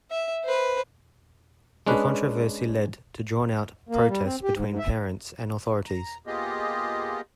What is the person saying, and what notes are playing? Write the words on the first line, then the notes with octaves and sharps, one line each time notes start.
The controversy led to drawn-out protests between parents and authorities.
E5
B4 C5
G#3 C#4 D4 B4
A#3
G3
C4
G4
G#2
G#2
E5
A#5
A#3 B3 F4 G4 G#4 D#5